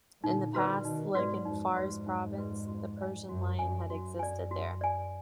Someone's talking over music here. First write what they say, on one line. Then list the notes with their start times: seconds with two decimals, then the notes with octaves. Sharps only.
In the past, like in Fars Province, the Persian lion had existed here.
0.23 A#2 D3 D#4
0.54 A#2 D3 F#4 B4 D5
0.84 B2 D#3 D#4
1.14 G#2 B2 F#4 B4 D5
1.45 F2 G#2 D#4
1.76 F2 G#2 F#4 B4 D5
2.07 D#4
2.37 F#4 B4 D5
2.67 F#4
2.98 D5 G#5
3.28 F#2 F#4
3.59 F#2 D5 G#5
3.89 F#2 F#4
4.19 D5 G#5
4.51 F#4
4.81 D5 G#5